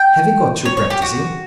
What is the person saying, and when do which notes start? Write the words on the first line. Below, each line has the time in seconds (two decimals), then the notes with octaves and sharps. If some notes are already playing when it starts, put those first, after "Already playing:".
Have you got through practising?
Already playing: G5
0.65 C#5
0.77 C#5
0.90 G4
1.02 F#4